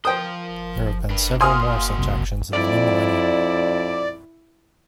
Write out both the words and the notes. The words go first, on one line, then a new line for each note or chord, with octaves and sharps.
There have been several more such actions in the new millennium.
F3 A#4 C5 G5 D#6
D4 B4
A#3 F#4 F5 G#5 C6 D#6 F6
C2 F#2 C3
F2 E4 D5